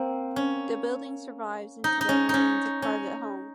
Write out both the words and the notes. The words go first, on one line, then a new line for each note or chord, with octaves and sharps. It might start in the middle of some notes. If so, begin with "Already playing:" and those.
The building survives and today remains a private home.
Already playing: A#3 C4
C#4
D#4
D#4
C#4
C#4 D#4
C#4